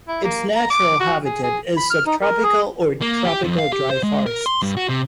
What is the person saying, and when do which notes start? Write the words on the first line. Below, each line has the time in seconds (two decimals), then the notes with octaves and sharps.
Its natural habitat is subtropical or tropical dry forests.
0.08 E4
0.23 A#3
0.55 A#5
0.70 D6
1.00 F#4
1.26 G#4
1.43 G#4
1.77 B5
1.90 F6
2.06 D#4
2.21 A#4
2.43 G#4
3.01 A#3
3.25 G4
3.44 F2
3.58 F5
3.72 G4
3.90 C5
4.03 G#3
4.26 A#4
4.46 C6
4.62 G2
4.77 F#4
4.89 C3